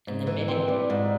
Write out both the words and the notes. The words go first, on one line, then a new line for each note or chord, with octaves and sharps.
And the minute
G#2
E3
C4
G3
G#2